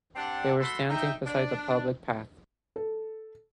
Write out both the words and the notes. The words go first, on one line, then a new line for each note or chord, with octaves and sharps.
They were standing beside the public path.
C4 D4 G4 D5 F#5 A5
A3 F#4 A4 B5 C6
D#4 E5 G5
D4
A4